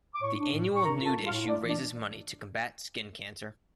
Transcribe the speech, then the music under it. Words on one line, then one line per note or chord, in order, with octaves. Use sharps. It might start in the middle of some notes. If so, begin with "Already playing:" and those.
The annual Nude Issue raises money to combat skin cancer.
D6
A2 C#5 C#6
D4
A2
A2
C#6
D4 A#4 A#5
F4
A4 A5
G3
F4 F5
A2
A3 D4 D5
E3
D4 D5